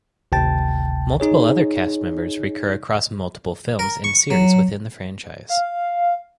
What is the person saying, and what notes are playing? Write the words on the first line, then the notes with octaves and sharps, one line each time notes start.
Multiple other cast members recur across multiple films and series within the franchise.
G#1 D2 C3 G5 A5 A6
D#4 G#4 C#5
A#4
C#6
F#3
F5